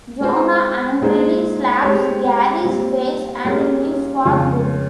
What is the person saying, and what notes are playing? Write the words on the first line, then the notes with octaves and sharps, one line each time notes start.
Joanna angrily slaps Garry's face and leaves for good.
G#3 C4 F4 C5
A#2 G#3 D#4 G#4 C5
G#3 C4 G4 C#5
A#2 G3 C4
A#2 G3 A#3 C#4 G#4
F2 C#3 G#3 C#4 F4